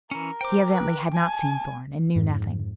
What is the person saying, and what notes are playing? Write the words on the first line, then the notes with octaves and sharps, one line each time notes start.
"He evidently had not seen Thorn, and knew nothing."
E3 C#4 A#4
C5 G5 D6
B4
G#5 A5
F2 G#2